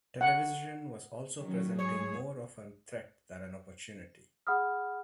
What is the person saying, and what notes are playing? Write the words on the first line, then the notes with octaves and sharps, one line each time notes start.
Television was also presenting more of a threat than an opportunity.
F#5
D#3 F#3 C#4
G#2 G#4 C#5
G#4 F#5 B5 D#6 F6